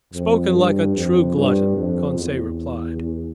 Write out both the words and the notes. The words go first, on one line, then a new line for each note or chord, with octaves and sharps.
"Spoken like a true glutton," Conseil replied.
F2
G2
F2
G2
F2
E2